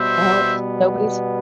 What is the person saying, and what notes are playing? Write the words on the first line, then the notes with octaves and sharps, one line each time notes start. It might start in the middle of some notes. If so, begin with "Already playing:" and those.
No nobody's
Already playing: B2 G3 B3 C5 E5